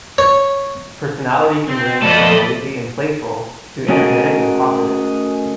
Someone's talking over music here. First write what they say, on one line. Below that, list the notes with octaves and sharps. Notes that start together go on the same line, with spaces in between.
Personality can range from lazy and playful to energetic and talkative.
C#5
C4
F2 A3 A4 D5 D#5 B5
A3 C#4 F#4 G#4 A#4 D#5